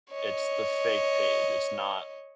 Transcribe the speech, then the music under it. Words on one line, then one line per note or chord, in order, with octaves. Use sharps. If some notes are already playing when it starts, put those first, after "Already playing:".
it's the fake page, it's not
C#5 D#5